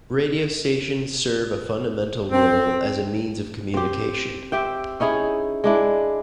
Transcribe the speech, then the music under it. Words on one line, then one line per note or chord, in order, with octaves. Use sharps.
Radio stations serve a fundamental role as a means of communication.
C4
C4 G4
C4 G4 E5 G5
C#4 D#4 E4 G#4
G#3 D4 E4